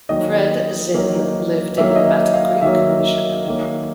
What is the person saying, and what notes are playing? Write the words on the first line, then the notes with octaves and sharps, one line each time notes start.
Fred Zinn lived in Battle Creek, Michigan.
D#3 F#3 A#3 D#5
D#3 F#3 A#3
D#3 F#3 A#3 E5
D#5
E5
F5
D#3 F#3 A#3 E5
D#3 F#3 A#3